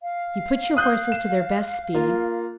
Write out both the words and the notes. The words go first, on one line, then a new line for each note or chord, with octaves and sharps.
"You put your horses to their best speed."
F5
D#6 F#6 G6
E7
A#3 F4